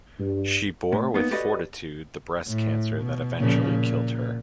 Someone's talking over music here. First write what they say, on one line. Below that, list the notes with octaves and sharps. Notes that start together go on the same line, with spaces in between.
She bore with fortitude the breast cancer that eventually killed her.
G2
A2
A#3 B3 D#4
F#4 G4 A4 B4 D5 D#5
A2
B2
A#2 C#3 F3
A#2